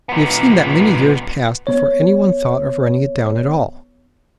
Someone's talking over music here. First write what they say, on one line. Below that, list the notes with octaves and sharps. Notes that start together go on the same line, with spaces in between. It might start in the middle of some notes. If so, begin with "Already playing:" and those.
We have seen that many years passed before any one thought of writing it down at all.
A#2 B3
B3 C#5